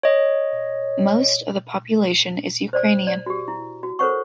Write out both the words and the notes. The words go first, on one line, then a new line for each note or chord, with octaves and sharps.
Most of the population is Ukrainian.
C#5 D#5
C5 D5
D5
F#4 G4
E4
F#4
A4 A#4 C5 C#5 F#5 C#6